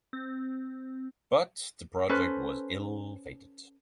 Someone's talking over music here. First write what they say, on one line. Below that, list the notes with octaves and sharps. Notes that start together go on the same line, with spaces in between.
But the project was ill-fated.
C4
C#4 A4 B4 C5